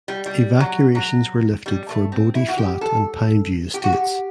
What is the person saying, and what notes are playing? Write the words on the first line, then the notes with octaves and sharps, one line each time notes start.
Evacuations were lifted for Bodie Flat and Pine View Estates.
G3
G3
F#3
F#3
G3
A3
C4
E4
F#4
G4
A4
G4
F#4
G4